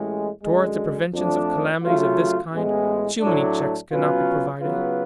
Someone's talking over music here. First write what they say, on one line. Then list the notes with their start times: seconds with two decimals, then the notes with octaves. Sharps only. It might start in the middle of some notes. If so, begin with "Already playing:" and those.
Towards the preventions of calamities of this kind, too many checks cannot be provided.
Already playing: A1 A2 G#3
0.43 F#2 D3 G#3
1.12 F2 F3 A3 D4
1.82 C#3 F#3 A3 F4
2.52 A1 A2 G#3 B3
3.21 A2 F#3 A3 D4
3.91 B2 F#3 C#4 F4 B4
4.60 C#3 F#3 B3 F4 B4